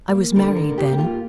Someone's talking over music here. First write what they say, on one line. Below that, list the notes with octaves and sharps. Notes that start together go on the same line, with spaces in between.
I was married then.
A#3
D3 A#4
A#4
A#3
G4
A#3
F4